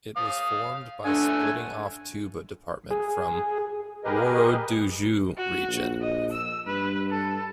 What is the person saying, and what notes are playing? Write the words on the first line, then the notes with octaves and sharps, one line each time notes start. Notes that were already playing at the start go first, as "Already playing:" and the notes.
It was formed by splitting-off Touba Department from Worodougou Region.
F5 D#6
A3 D4 F#5 G#5
G#4
G4 G#4 A#4 B4 D#5
F#4
A#1
D#5
E6
G2 B4
A4